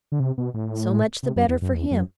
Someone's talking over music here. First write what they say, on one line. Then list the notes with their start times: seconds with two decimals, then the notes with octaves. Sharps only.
So much the better for him.
0.12 D3
0.20 C3
0.38 B2
0.54 A2
1.23 C3
1.36 F#2
1.48 E2
1.62 F#2
1.74 E2
1.91 F#2